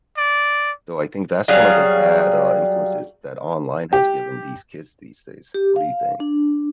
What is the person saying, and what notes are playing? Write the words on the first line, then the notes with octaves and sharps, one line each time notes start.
So, I think that's one of the bad, uh, influences that online has given these kids these days. What do you think?
D5
F#3 G3 G#4 F5
G4
G4
F5
D4